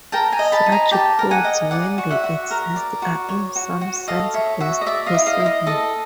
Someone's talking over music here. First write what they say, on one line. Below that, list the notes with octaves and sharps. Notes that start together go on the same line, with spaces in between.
Such codes, when they exist, are in some sense best possible.
A#4 G5 A5
G#5 A#5
D#5
A5 B5
D#4
G#5 A#5
G4 G5 A5
A#4
F#5 G#5
D#5
D5 F#5 G#5
F#4
E5 F#5
F#4
A#4
D5
F#4
C#5
F#4
F#4
A4 D#5 F5
C#5 E5
F#4 E5
D#5
D5 E5
D#5 F5
E4
D#5 F5
E4
D#5
A4 D#5